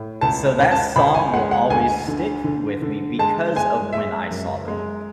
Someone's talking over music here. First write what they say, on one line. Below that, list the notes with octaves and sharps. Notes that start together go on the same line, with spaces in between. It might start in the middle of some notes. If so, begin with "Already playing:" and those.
so that song will always stick with me because of when I saw the movie.
Already playing: A2
C#2 A5
C#2
A5
C#2 B5
G#5
G#3 F#5
F#5
D2 G#5
D3
D3
D3
G#3 A5
G#3 G#5
G#3 E5
F#2
G#3